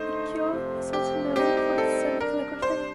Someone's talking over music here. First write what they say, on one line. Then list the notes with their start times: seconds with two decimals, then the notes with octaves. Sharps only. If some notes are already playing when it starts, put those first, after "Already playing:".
Ikkyū is also known for its Zen calligraphy.
Already playing: D3 A3 D#4 C5
0.52 F2 C3 F3 A3
0.93 G4
1.36 A2 G3 C4 D#4 G4
1.57 G4
1.78 A4
2.21 C3 G3 D4 A#4
2.62 C5